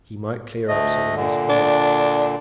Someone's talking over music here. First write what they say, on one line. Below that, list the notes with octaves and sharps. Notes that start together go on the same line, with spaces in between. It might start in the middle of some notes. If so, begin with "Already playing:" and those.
He might clear up some of this fog.
D2 A3 D#5
A#2 D3
D4